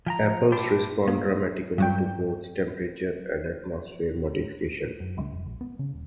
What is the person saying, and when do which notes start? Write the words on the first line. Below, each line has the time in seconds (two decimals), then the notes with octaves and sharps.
Apples respond dramatically to both temperature and atmosphere modification.
0.06 F3 G5 A#5
0.52 D4 E4 G4 C5
1.08 A#3
1.78 G2 F#3 G5
5.00 F#2
5.17 C#2
5.32 F1
5.46 A#1
5.61 B3
5.79 C#3
5.93 D#1